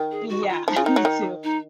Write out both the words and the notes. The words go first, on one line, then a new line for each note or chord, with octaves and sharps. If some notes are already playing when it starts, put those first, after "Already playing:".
Yeah, me too
Already playing: D#3
G#4
F#4
F4
F3 D#4
C#3 F4
D#3 D#4
F#3
D#3
D#4